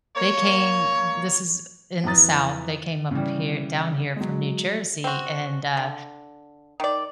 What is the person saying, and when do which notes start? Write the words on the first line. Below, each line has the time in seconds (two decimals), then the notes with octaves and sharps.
they came this is in the South, they came up here down here from New Jersey, and, uh,
0.16 A#3 C#5
2.04 F2 E3 B4 A#5 D#6 A6
3.11 C#3 E3 G3
4.16 F#3 G#3
5.04 C4 F#4
5.77 D3
6.80 D#3 D5